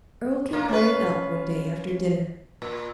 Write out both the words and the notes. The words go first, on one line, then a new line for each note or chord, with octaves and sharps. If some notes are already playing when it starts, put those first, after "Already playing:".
Earle came hurrying up one day after dinner.
A2 A#3
C#4 F4 B4
A#2